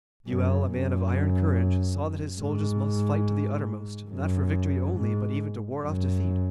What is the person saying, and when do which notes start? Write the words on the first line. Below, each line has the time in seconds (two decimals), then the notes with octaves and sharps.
Buell, a man of iron courage, saw that his soldiers must fight to the uttermost, not for victory only, but even to ward off defeat.
0.27 F#2
0.70 F#2
2.40 G#2
4.10 F#2
4.96 G#2
5.82 F#2